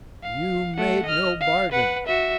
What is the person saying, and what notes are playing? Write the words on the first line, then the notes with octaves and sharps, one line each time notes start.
"You made no bargain."
F5
A3 F#5
D#5 F6
F5
B4 F#5
F#4 E5